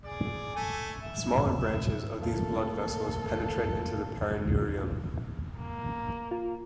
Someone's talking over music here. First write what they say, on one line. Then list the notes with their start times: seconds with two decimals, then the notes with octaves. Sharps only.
Smaller branches of these blood vessels penetrate into the perineurium.
0.04 G#4 D5
0.56 A3 G#5
1.03 E5
1.58 E5
2.22 A3 A#3 A4 F5
5.58 A#3
6.31 F4